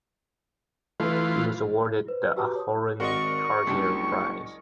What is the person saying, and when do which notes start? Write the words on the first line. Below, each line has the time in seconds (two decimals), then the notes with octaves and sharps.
He was awarded the Aharon Karzir Prize.
1.00 E3 A3 F4 B4
2.08 B4 C5
2.36 F#4 G4 B4 A5 A#5 D6
2.56 C#5 D#6
3.00 G#1 F#4 A#4 D5 D#5 C6 C#6
3.67 F#1 C#2 G3 D4